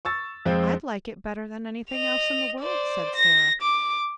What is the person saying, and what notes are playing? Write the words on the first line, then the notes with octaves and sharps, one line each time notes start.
"I'd like it better than anything else in the world," said Sara.
C#6 E6 A6
F2 F3 G#3 C4
D#5 F7
C5 D5
A#6
D6